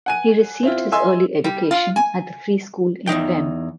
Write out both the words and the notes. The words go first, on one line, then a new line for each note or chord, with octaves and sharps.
He received his early education at the free school in Wem.
F#5 G#5 D#7
C4 E4 F4
D#5 E5 G#5 C6 E6
G3
F4
G#5
E2 G#2 D#4 G5